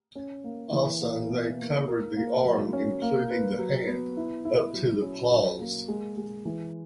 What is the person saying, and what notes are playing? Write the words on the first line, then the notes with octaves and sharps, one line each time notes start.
Also they covered the arm including the hand up to the claws.
C#4
A#3
E3
A#3
B2
A#3
A#4
A#3
F#3
C#4
A#3
B4
F#3
B3
E4
E4
F#3
C#4
F#3
A#3
G#3
G#3
E3